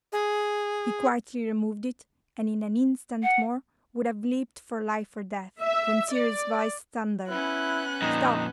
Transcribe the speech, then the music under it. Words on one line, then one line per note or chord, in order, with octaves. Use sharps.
He quietly removed it, and in an instant more would have leapt for life or death, when Cyril's voice thundered 'Stop!'
G#4
F#5
E5
D5
B3 C#4 E4 F#6
F2 A#2 D#4